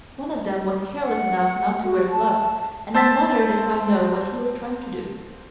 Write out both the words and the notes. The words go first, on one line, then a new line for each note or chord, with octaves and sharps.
One of them was careless enough not to wear gloves, and I'm bothered if I know what he was trying to do.
F#5
F#4
A5
C4 C5 A5 E6 A6 B6